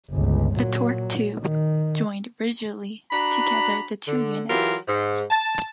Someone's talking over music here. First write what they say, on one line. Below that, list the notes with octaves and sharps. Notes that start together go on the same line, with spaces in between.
A torque tube joined rigidly together the two units.
G1 C#2
A#2 F#3
D#3
D4 F#4 A#5 B5
D3
E3 F#3 F4 G4 A#4
G#2
A5